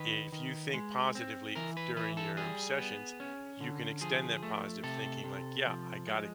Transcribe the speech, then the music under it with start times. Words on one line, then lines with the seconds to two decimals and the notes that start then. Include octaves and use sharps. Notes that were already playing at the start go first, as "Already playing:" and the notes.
if you think positively f during your sessions, you can extend that positive thinking like, "Yeah, I got
Already playing: D#3 B4
0.32 D#3
0.74 G#3
1.15 C4
1.55 E3 A#4
1.77 B4
1.96 E3 B4
2.17 A4
2.37 G3 G#4
2.78 B3
3.20 C#4
3.61 D3
4.01 F3 G#4
4.43 A3
4.83 C3 A4
5.24 C3
5.66 F3
6.07 G#3